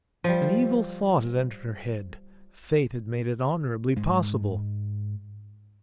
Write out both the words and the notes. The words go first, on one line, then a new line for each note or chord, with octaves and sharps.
An evil thought had entered her head; fate had made it honourably possible.
F3 G3
G#2 G#3